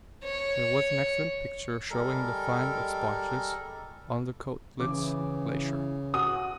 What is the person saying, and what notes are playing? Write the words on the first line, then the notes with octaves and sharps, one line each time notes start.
There was an excellent picture showing the find of sponges on the Koettlitz Glacier.
C#5
G3 G#3 A4 A#4
C#3 E3 D6
F#4 D#6